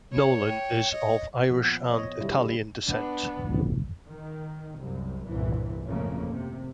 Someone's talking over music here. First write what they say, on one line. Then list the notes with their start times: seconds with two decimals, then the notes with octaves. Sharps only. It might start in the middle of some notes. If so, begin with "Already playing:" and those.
Nolan is of Irish and Italian descent.
0.13 C#5
0.48 G5
0.92 D#5
1.50 A#2 F3 B3
1.91 C#5 D#5
2.21 B2 D3 G3 E4
2.85 B3 D4
4.08 D#3
4.78 C2 F#2
5.26 G1 C2 A#2 E3
5.85 G#1 F2 C#3 A3 A#3 C#4
6.30 C3